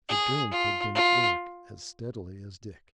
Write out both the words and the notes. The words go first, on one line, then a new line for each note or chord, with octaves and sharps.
The drink had been at work as steadily as Dick.
G#4
F4
F4